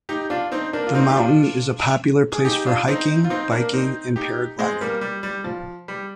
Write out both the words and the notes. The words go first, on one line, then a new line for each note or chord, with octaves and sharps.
The mountain is a popular place for hiking, biking and paragliding.
D#4 G4
D4 F4
C4 D#4
A#3 D4
F4
C4 D#4
G4
D4 F4
G#4
D#4 G4
D4 F4
C4 D#4
F4
C4 D#4
A#3 D4
C4 D#4
D#4 G4
G#3 C4
G3 A#3
G3
G3
F3
G3